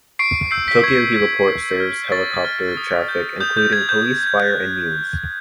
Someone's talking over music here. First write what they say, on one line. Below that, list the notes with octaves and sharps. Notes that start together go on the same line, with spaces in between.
Tokyo Heliport serves helicopter traffic, including police, fire, and news.
C#6 C7 D7
E6 G6 C7
B6
C#6 G#6
E6 G6
C#6
F6
C#6 A6
F6
D#6
G6
D#6 G6
G6
G6 G#6
G6
D#6
F#6